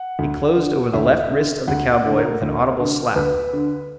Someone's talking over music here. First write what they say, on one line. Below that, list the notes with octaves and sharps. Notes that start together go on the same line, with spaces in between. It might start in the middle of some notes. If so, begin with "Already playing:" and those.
It closed over the left wrist of the cowboy with an audible slap.
Already playing: F#5
D2
D3
D2 E5
D3
D2 F#5
F#5
D3
A#4
D2
D3
D2 B4
D3